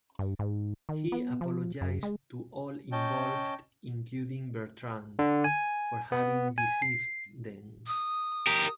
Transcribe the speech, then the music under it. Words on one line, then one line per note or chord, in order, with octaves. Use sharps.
He apologized to all involved, including Bertrande, for having deceived them.
G2
G#2
D#3
B3
F3
F#2
G#3
C#4 D#5 G5 A5 G6
D3
G#5
B3
G#5
C7
D#6
G4 A#4